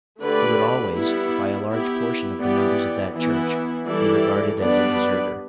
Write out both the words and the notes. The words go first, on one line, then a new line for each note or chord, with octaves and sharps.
He would always, by a large portion of the members of that Church, be regarded as a deserter.
D3 A3 G4 B4 D5
G3 B3 E4
B3 E4 G4
E3 B3 G4 D5
E3 B3 E4
E3 G3 E4 A4 D5
G3 B3 D4 B4 D5